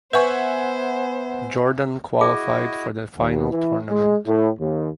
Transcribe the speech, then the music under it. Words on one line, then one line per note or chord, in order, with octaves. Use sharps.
Jordan qualified for the final tournament.
B3 B4 C5 E5 F#5 G#5 C#6
E4 F#4 G#4 D#5 D6
D#2
E3
G#3
A2
D#2